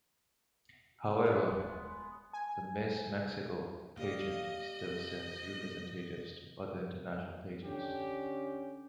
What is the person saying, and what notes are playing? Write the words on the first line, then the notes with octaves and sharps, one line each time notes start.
However, the "Miss Mexico" pageant still sends representatives to other international pageants.
G#3 B3 F4
D#1
G#5
A#3 G4 D5 D#5 F5
D3 C#4 G4